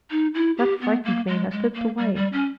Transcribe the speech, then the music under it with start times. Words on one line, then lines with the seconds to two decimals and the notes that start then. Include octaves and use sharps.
That frightened me, and I slipped away.
0.11 D#4
0.34 E4
0.58 G4
0.81 B3
1.05 A#3
1.28 G#3
1.51 G#3
1.74 A#3
1.98 G3
2.15 G3
2.33 C#4